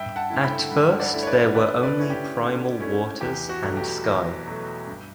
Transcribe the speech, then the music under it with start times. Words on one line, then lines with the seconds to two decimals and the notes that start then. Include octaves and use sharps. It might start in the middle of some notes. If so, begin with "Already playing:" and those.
At first there were only primal waters and Sky.
Already playing: G2 E5 G5
0.16 F#5 A5
0.30 D3 A3 E4
0.44 G5 B5
0.71 G2
1.00 D5 F#5
1.13 D3 A3 E4
1.23 C#5
1.27 B4 D5
1.54 D3 B4 D5
1.83 B4 D5
1.96 A3 C#4 E4
2.10 G4
2.39 D3
2.79 A3 C#4 E4
3.21 E2 G4
3.49 F#4
3.63 B2 F#3 A3
3.77 G4
4.05 E2
4.46 B2 F#3 A3
4.87 G2